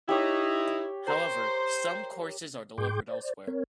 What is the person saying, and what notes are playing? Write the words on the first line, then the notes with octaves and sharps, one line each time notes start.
However, some courses are delivered elsewhere.
D#4 E4 G4 C#5
A#4 C5
G#2 G#4 G5 C6 D6 G6
C5 D5
C4 A#4 C#5